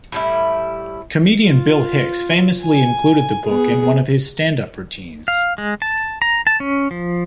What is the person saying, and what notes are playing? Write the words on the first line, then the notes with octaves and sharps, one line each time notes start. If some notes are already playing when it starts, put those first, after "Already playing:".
Comedian Bill Hicks famously included the book in one of his stand-up routines.
A2 G3 E4
F4
G#5
B3 G#4
F5
G#3
A5
A#5
A5
C#4
F3